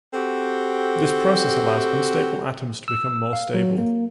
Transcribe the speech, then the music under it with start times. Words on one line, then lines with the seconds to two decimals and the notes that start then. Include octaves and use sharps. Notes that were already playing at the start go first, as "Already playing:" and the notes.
This process allows unstable atoms to become more stable.
0.14 C4 F#4 G4 A4
2.88 E6
3.33 F5
3.54 F#3
3.78 A#3